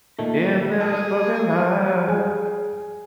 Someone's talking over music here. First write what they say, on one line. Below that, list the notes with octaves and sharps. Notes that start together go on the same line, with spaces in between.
in this fucking life,
A#2 D#3 A3
G#4 A4
G#4 G#5